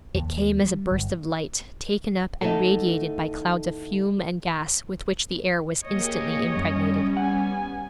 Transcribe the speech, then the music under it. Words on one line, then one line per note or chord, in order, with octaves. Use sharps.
It came as a burst of light taken up and radiated by clouds of fume and gas with which the air was instantly impregnated.
D#2
G3
G1
D2 A3 D#4 E4 A4 A5
A#3 G4 G#4 C#5 D#5
F#2 G3 C#4
B3 F#5 G#5